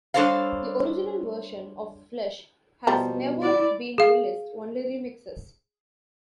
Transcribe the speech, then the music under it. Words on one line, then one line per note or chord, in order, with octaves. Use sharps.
The original version of "Flesh" has never been released, only remixes.
G3 D4 A4 C5 C#5 F5
B2 F3 G3 A#5
E4 D5
G#4 F5